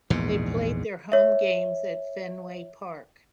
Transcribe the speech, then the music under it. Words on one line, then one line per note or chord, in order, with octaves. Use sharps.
They played their home games at Fenway Park.
A#1 E2 G#2 B2
C#5 E5